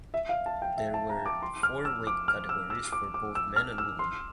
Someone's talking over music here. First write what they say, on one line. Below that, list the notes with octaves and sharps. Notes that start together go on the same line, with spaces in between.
There were four weight categories for both men and women.
E5
F5
A5
G5
E5
A5
A#5
D6
C6
F6
E6
D6
F6
E6
E6
D6
D6
E6
F6
E6
C6